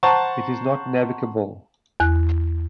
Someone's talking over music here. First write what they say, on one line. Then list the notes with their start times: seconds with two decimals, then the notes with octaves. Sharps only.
It is not navigable.
0.03 C5 F#5 A5 A#5 C#6
2.00 E2 F#6